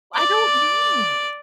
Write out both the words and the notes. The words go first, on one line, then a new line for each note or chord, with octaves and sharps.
I don't know,
D5 D6